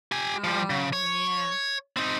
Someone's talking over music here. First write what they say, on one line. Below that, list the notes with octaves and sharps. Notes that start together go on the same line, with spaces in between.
Oh, yeah.
G4 G#5
F3 G3
C#3
C#5
C4 D#4